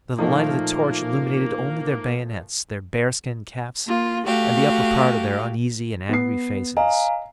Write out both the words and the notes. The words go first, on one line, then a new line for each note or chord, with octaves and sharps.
The light of the torch illuminated only their bayonets, their bear-skin caps, and the upper part of their uneasy and angry faces.
A#2 F3 A3 A#3 D#4
A#3 F4
A3 F#4 G4 F5
B3 C7
D#5 F5 G#5 A#5